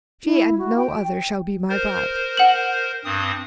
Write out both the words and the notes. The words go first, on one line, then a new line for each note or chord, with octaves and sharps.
She, and no other, shall be my bride.'
E4
F#4
G5
A#4 C5
F#5 F#7
G2 C4 D#6